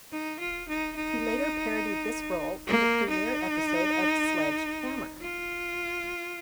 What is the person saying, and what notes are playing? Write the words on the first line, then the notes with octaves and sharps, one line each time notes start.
He later parodied this role in the premiere episode of Sledge Hammer!
D#4
F4
D#4
D#4
A#3
D#4
F4